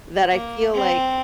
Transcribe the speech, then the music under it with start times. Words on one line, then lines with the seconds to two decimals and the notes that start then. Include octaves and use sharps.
that I feel like
0.31 A#3
0.74 C4